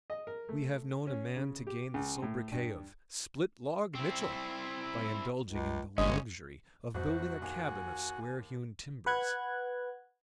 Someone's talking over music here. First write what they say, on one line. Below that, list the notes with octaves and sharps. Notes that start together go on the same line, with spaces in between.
We have known a man to gain the sobriquet of "Split-log Mitchell" by indulging in the luxury of building a cabin of square-hewn timbers.
D#5
A#4
A3
C#4
C#3
G4
C#2
A2
G2
C4 E4
C#2
G1 G#3 C#4 D#5
C2 F2 B2 F#4 C5
D#2 G#5
B4 F#5 F#6 G#6